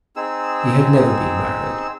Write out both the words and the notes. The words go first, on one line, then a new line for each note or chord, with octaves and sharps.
He had never been married.
C4 D#4 G#4 E6